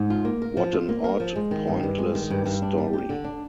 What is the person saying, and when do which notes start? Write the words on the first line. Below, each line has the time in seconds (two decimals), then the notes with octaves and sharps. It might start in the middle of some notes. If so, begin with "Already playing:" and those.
What an odd, pointless story!
Already playing: G#2
0.10 F4
0.25 A#3
0.42 A#4
0.57 F3
0.73 F4
0.89 A#3
1.04 A#4
1.20 F3
1.36 G#3
1.51 D#3
1.67 G2
1.83 G2
1.98 G#3
2.15 D#3
2.30 G2
2.45 G2
2.62 D4
2.78 G3
2.93 G4
3.09 D3
3.24 D4